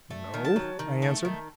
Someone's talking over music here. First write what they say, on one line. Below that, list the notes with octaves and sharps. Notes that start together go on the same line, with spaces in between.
"No," I answered.
A3
D#3
A5
F#3
D#3
A3
D#3